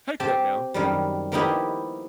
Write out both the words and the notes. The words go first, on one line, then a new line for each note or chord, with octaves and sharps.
take that down.
C4 G4 A5
F#2 D#3 G3
F3 A#3 B3 D#4 E4 G4